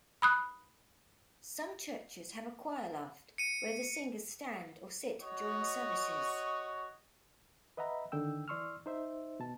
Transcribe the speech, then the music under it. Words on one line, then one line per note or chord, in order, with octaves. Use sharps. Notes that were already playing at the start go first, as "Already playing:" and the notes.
Some churches have a choir loft, where the singers stand or sit during services.
B5 D#6 F#6
C#7 D#7
F#4 C#5 D#5
B4 D#5 E5 F#5 A#5 B5
D2 D3 D#3 G5 E6
E3 D5 C6 C#6 E6 F6
D#4 C5 E5
B2 A5